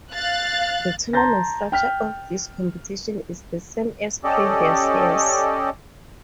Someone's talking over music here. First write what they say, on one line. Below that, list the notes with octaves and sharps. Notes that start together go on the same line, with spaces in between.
The tournament structure of this competition is the same as in previous years.
F5 F#6 A6
A5 A#5 C6 G6 A6 A#6
G5 F6 B6
C#4 G4 A4 D5 D#5